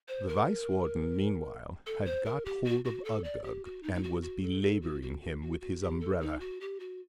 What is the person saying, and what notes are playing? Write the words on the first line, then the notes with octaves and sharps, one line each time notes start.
The Vice-Warden meanwhile had got hold of Uggug, and was belabouring him with his umbrella.
C5
A#4
A4
C5
A#4
G4
F#4
F#4
A4
D5
G4
F#4
D#4
D#4
F#4
F#4
A4
A4
F#4
F#4
F#4
F#4
F#4
G4
A4
D#4
F#4
G4
F#4